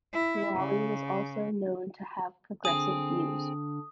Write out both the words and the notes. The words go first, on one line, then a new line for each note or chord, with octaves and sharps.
Filali was known to have progressive views.
E4
C#3
D3 C4 D4 G#4 D#6